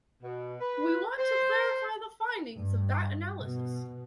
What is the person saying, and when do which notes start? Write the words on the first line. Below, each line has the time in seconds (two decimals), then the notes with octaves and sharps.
We want to clarify the findings of that analysis.
0.22 B2
0.60 B4
1.18 C5
2.57 G2
3.40 B2